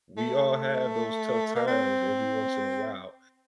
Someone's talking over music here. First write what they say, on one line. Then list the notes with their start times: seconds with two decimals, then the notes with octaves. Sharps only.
we all have those tough times every once in a while"
0.18 A3
1.56 A#3
1.68 C4